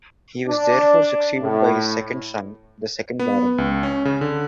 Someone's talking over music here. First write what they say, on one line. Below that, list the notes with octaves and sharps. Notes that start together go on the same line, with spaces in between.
He was therefore succeeded by his second son, the second Baron.
D4
A2
B3
C#2
C#4
C#3
D3